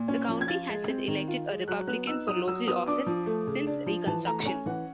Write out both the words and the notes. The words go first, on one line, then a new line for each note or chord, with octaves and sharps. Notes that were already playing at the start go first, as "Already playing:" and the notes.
The county hasn't elected a Republican for local office since Reconstruction.
Already playing: A#2
C#4
F3
G#6
F4 A6
G#3
C4
D#3
F4
G#3
F#3 F#6
B3 F#6
D#4 E6
F#3 D#6
F#3 E6
B3 D#6
D4 D6
F3
A3
C#3
D4
F3
E3 A5
A3 A#5
C#4 G#5
E3 F#5